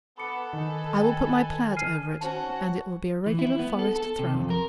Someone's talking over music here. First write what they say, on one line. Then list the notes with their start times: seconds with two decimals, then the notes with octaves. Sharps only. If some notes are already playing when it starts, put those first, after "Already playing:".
I will put my plaid over it, and it will be a regular forest throne.'
0.18 B3 A4 B4 B5 D6 C#7
0.53 D#3 G#5
0.95 G5
1.77 F6 C7 D#7
2.21 C#4 F#4 C5 A5
3.26 E3
3.39 E4
3.59 B3
3.79 A4
3.96 A4
4.19 C3
4.34 F2
4.50 A#4